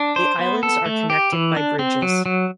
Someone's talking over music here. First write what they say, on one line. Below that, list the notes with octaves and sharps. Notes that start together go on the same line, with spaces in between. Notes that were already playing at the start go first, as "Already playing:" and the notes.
The islands are connected by bridges.
Already playing: D4
C5
B3
A4
A3
G4
E3
D4
C4
F#3
F#3